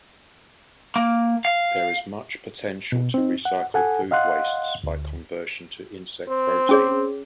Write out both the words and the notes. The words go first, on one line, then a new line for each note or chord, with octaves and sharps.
There is much potential to recycle food wastes by conversion to insect protein.
A#3
F5
B2
C4 D#4
F#5
A4 F#5 G#5
D#5 F5 F#5 C6 F#6
D2
C4
C#4 G#4 C#5